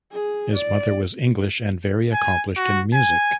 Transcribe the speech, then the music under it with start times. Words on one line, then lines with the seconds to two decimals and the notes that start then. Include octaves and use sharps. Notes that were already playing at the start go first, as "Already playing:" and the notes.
His mother was English and very accomplished in music.
0.12 G#4
0.54 D5
2.13 G#5
2.57 F#4
2.93 G#5